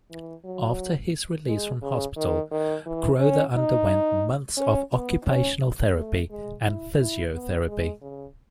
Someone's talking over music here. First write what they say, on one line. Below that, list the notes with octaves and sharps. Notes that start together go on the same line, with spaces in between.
After his release from hospital, Crowther underwent months of occupational therapy and physiotherapy.
E3
F#3
G#3
C#3
D#3
D#3
E3
C#4
D#4
C#4
B3
C#4
A3
G#3
E4
E4
B3
G#3
C#3